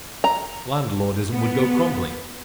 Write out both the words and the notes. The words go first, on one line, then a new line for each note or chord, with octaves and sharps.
Landlordism would go crumbling.
A#5
B3